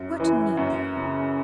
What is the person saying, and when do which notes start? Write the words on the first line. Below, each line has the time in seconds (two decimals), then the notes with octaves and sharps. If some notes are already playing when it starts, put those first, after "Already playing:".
What need they?
Already playing: F#2
0.20 E3
0.57 F#2
0.96 C#3